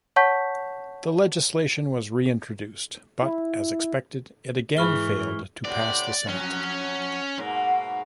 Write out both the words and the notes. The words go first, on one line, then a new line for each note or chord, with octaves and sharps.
The legislation was reintroduced, but, as expected, it again failed to pass the Senate.
C#5 F#5 A5 C#6 G6 B6
E4
G#2 E3 G#4 B5 C#6 F6 G7
A2 C3 B3 D5
F2 F#3 C#4
G#2 B2 A#3